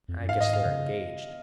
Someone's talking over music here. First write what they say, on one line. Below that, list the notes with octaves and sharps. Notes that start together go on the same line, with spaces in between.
I guess they're engaged.
F2
F#2
G#2 F5
D#5
F5
C#3